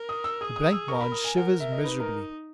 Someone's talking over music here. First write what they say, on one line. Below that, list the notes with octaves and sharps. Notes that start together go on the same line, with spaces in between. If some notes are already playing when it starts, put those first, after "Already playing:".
The blancmange shivers miserably.
Already playing: A#4
D#6
E6
G#4 D#6
D#6
E6
A#4 C#6
A#5
B5
D#6
G#5
A#4 F#5
E5
D#5
D#4 B4
A#4